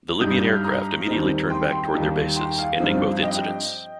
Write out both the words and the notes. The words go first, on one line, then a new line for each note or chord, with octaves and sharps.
The Libyan aircraft immediately turned back toward their bases, ending both incidents.
G2 G3 D#4 D#6 G6
G6
F6
A#5 D#6
D#2 D#3 G3 C4 D#4
G5 C6
G5 C6
D#2 D#3 G3 A#3 D#4
G5 C6
F5
G2 F3 C4 D#4
D#5 G5